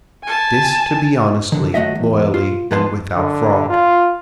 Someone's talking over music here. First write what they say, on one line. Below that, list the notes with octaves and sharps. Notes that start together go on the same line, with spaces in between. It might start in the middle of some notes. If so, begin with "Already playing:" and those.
This to be honestly, loyally, and without fraud.
G#5 A5
C2 D3 D#3
D#2 F#3 A3 F#4 D#5 E5
E2
F4
E2 F3 B3 B4 A5 C6
D3
F4